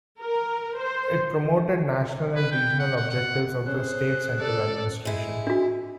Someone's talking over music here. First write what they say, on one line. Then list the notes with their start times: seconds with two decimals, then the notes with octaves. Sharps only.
It promoted national and regional objectives of the State central administration.
0.20 A#4
0.78 C5
2.36 B4
2.52 G5
2.80 F#5
2.97 F#5
3.10 F#5
3.66 C#4 G#4 C5 F#6
4.39 A4 D5
5.05 G#3 E4
5.47 D4 F#4